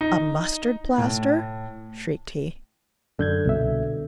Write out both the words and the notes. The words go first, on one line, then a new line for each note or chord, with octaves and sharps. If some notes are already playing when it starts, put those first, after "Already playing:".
"A mustard-plaster?" shrieked he.
D#4
A2
F#2 D3 G6 G#6
C2 B2 E5